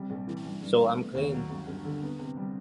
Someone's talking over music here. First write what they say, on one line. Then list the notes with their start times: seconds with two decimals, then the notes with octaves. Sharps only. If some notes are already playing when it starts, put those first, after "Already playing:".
So I'm clean.
Already playing: C3 G3
0.10 A#1
0.27 E3
0.45 G2
0.62 G2
0.80 A3
0.98 B3
1.15 D#2
1.32 F#3
1.50 G1
1.67 G1
1.84 D3
2.02 B3
2.19 C3
2.37 G3